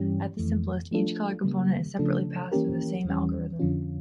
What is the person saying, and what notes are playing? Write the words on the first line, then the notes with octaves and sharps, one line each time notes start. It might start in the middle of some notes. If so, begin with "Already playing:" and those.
At the simplest, each color component is separately passed through the same algorithm.
Already playing: G2 E3 G3 C#4 G4
F2 E3 A3
F3 A3 D4 F4 A4
C#3 G3 A#3
C#3 F3 A3 D4 A4
E3 A#3 C#4 G4 A#4
E2 E3 G3 C#4
F2 D3 F3 C#4 F4